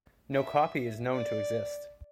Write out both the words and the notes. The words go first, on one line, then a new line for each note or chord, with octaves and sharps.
No copy is known to exist.
E5
D5